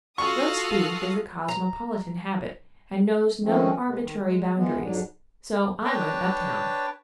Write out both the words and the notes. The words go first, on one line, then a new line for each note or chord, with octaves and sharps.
Roast beef is a cosmopolitan habit, and knows no arbitrary boundaries; so I went uptown.
F4 F#4 A4 F5 C#6 D#6
A#5
D#3 F3 G#3 A3 C4 C#4
C3 G#3
D#3
G#3
E3 F3 G#3 B3
F2 G#2 F#3 D4
D4 B4 C#5 G5 A5